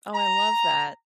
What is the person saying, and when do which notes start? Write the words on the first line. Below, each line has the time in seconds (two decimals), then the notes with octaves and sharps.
Oh, I love that.
0.13 A#5